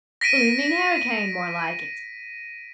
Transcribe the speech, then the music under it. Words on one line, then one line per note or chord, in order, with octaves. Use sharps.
Blooming hurricane, more like it.
A#6 B6 D7 D#7